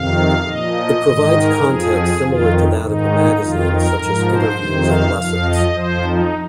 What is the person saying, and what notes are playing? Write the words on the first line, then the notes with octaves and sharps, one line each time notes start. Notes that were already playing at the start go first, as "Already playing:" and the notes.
It provides content similar to that of the magazine such as interviews and lessons.
Already playing: F2 C3 D#3 F5
A#2 F3 D#5
G#2 D#3
A#4
F2 F3 G#4
F2 D#3 F4
G#2 D#3 D#4
F2 D#3 F4
A#4
G#2 F3
C5
F2 C3 D#3
F5
F2 F3 F5
D#5
F2 F3 C5
D#4